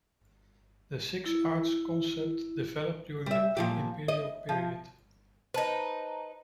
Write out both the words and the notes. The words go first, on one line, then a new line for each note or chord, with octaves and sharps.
The Six Arts concept developed during the pre-imperial period.
E4
G3 E5
A#2 F3 G4
D#5
F3
D#4 B4 C5 A5